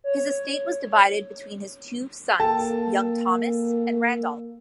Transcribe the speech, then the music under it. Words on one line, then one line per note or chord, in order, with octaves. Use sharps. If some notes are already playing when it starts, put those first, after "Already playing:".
His estate was divided between his two sons, young Thomas and Randolph.
C#5
A#3 A4 G5 A5